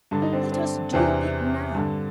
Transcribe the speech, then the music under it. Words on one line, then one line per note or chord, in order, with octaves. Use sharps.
'Let us Do It Now.
G2 D3 D4
D#4
C4 D4
C4 D4
E2 C3 E3 C4 D4
G2 D3